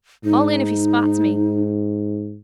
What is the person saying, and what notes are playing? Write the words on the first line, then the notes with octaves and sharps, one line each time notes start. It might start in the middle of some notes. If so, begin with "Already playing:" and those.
All in if he spots me.
G#2 D#4